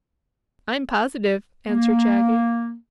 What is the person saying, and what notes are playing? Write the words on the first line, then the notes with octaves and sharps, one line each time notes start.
"I'm positive," answered Shaggy.
A#3